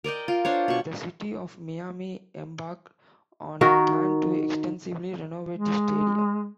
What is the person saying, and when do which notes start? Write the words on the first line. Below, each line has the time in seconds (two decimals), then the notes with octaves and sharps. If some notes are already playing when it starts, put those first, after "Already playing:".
The City of Miami embarked on a plan to extensively renovate the stadium.
0.04 A#4 D5 D#5 G5
0.28 F4
0.45 D4 C5 C#5
0.68 B2 C#6
3.61 D#3 D#4 F#4 A#4
5.54 G#3